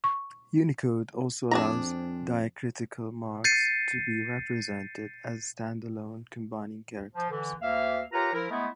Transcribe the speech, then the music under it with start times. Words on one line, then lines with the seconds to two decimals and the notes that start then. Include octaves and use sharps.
Unicode also allows diacritical marks to be represented as standalone combining characters.
0.04 C#6
1.51 F2 C4 D4 G#4 A#5
3.44 G6 A6 C7 C#7 D#7
7.14 F3
7.30 D3 E3
7.61 D2 A#3 E5 F5
8.13 F4 G4 A#4 B4 C#5 A#5
8.34 F3 E4 A#4
8.51 G#3 A3 B3 E4